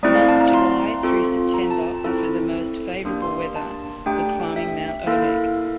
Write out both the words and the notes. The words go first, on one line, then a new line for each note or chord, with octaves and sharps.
The months July through September offer the most favorable weather for climbing Mount Oleg.
A3 C4 E4 D5
F5
A5
A#5
C6
C4 F4 A4
A#5
A5
C4 E4 A4
A#3 D4 G4
C6
A5
A3 D4 G4 G5
E5
A#3 E4 A4 F5